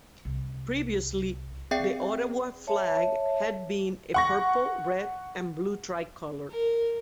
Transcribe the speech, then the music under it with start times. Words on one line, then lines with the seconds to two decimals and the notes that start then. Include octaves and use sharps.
Previously the Ottawa flag had been a purple, red and blue tricolour.
0.25 C2
1.71 C4 G#4 D5 E5 G5 C7
2.67 C#5 E5 A5
4.14 F#5 C#6 A#6
6.51 A#4